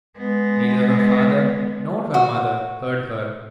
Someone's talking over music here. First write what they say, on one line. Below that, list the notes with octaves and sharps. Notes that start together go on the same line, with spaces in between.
Neither her father nor her mother heard her.
G#3 B3
F#4